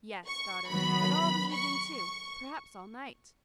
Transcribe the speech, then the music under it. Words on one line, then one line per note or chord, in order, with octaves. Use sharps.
"Yes, daughter, and all the evening, too; perhaps all night."
C#6
D#3 F#3 B3 B5
C#6
C#6